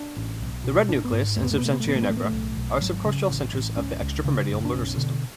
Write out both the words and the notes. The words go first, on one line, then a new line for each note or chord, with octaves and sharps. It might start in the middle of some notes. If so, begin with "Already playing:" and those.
The red nucleus and substantia nigra are subcortical centers of the extrapyramidal motor system.
Already playing: D4
A1
B1
B2
G#1 D4
B3
G#2
E2 A3
B3
A3
B2 B3
A3
B3
A3
A1 B3
A3
B3
A1 A3
B3
A3
B1
B1
G#1 F#3
C#3
A1
A1
C#2 C#4
C#2
C#3
F#1
D4
B1 C#4
B2 D3